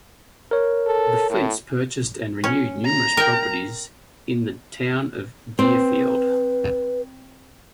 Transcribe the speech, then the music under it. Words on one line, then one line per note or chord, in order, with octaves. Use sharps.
The Flynts purchased and renewed numerous properties in the town of Deerfield.
A#4 C#5
A4
A2
C#4
A#5
A#4 G5
C4 B4